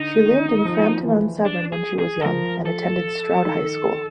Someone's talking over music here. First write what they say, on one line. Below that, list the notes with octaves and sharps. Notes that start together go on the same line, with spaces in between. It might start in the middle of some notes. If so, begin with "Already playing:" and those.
She lived in Frampton-on-Severn when she was young, and attended Stroud High School.
Already playing: D3 D#4
D#3
F3
E3
D4
G#4
G#4
A4
F3 A#4
A4
D#3